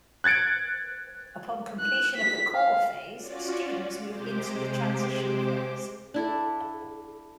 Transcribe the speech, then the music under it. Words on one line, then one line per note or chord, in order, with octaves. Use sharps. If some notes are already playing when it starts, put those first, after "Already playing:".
Upon completion of the core phase, students move into the transition phase.
F#6 G#6 A6 C#7 D7
F#6
B6
F5
C#4 F4 F#4 D5
C3 G#3 G4 C5 D6
D4 E4 A4